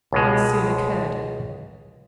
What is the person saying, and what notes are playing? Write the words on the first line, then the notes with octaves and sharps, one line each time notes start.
One soon occurred.
C#2 B2 G#3